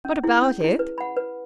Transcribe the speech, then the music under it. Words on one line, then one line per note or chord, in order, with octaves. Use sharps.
"What about it?"
C#4
E4 G#4
C#4
E4 G#4
B4
F#5 B5
B4